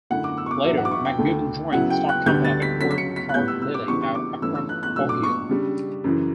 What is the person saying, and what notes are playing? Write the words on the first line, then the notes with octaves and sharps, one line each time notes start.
Later, MacGibbon joined the stock company of Edward Clarke Lilley at Akron, Ohio.
F#2 D3 A3 E4 F#5
D6
E6
C#6
D6
E2 B2 F#3 B3 D4 E5
F#5
D6
C#6
G5
D2 D3 A3
C#3 F#3 B3 E4 F#5
G5
F#6
D2 D3 G3 B3 G6
A6
B6
C#3 F#3 C#4 B6
B6
C#7
B6
F#6
A2 G3 B3 G6
E6
E6
D6
C#3 E3 G3 B3 D4 C#6
C#6
D6
G2 E3 A3 C#4 E4 E6
E6
F#6
F#6
B2 F#3 A3 D4 E6
D6
C#6
C#3 G3 D4
F#2 C#3 E3